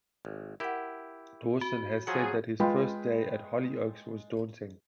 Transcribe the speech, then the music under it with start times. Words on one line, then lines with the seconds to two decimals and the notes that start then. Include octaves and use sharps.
Dawson has said that his first day at "Hollyoaks" was "daunting".
0.25 G#1
0.60 E4 G4 A#4 F#5
1.61 F#4
2.07 F3 F#3 G#4 F#5
2.60 G#3 F4 B4 G5 B5